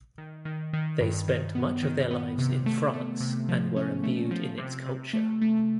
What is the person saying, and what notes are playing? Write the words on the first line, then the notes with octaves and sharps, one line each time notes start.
They spent much of their lives in France and were imbued in its culture.
D#3
D#3
D#3
G2
D#3
B3
D#3
B3
C3
A3
A3
C3
F3
C#4
A3
F3
C3
C3
A3
A3